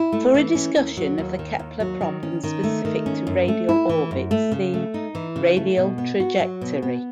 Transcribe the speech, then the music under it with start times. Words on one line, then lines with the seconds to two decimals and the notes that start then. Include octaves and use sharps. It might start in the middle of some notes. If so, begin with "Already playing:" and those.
For a discussion of the Kepler problem specific to radial orbits, see: Radial trajectory.
Already playing: E4
0.12 A3
0.34 E3
0.55 C#4
0.76 D#2
0.97 F#3
1.18 D#2
1.39 D#3
1.59 D#2
1.80 F#3
2.01 D#3
2.23 C#4
2.44 D#3
2.64 A3
2.85 D#3
3.06 C#4
3.27 F#2
3.48 A3
3.69 E4
3.89 E3
4.11 F#2
4.31 A3
4.52 C#3
4.74 A3
4.94 D#4
5.15 E3
5.36 C#3
5.57 A3
5.77 B2
5.98 B3
6.20 F#4
6.40 F#3
6.61 B2
6.82 B3